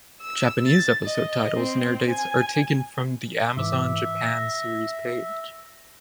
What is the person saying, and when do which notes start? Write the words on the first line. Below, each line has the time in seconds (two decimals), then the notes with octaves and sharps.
Japanese episode titles and airdates are taken from The Amazon Japan series page.
0.21 E6
0.67 A6
1.05 D#5
1.57 C4
2.09 G#5
3.57 G#2 E3 E5 D6
4.21 A#6